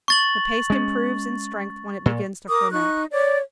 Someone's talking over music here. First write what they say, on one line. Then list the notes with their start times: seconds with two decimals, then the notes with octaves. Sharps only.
The paste improves in strength when it begins to ferment.
0.08 C#6 A6 F#7
0.70 G#3 C#4
2.06 A#2
2.48 A#4 D6 D#6
2.72 D#4 C#6 F#6
3.12 C#5 D5 D6